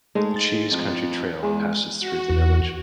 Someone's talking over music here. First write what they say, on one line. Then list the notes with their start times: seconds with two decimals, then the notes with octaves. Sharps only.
The Cheese Country Trail passes through the village.
0.15 G#2 G#3 A3
0.36 A6
0.71 F2
1.43 E2 G#3
2.00 F#4
2.30 E2